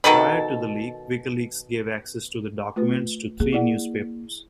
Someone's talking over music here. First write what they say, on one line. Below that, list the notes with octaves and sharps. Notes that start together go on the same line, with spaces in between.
Prior to the leak, WikiLeaks gave access to the documents to three newspapers.
B2 D#3 A4 B5
A3 F4 B4
A#3 G#4
E4 D5 F#5